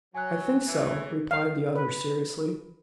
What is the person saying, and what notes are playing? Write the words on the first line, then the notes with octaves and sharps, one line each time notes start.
"I think so," replied the other seriously.
F#3 G#5 F#6
C#3 E3
F5
B4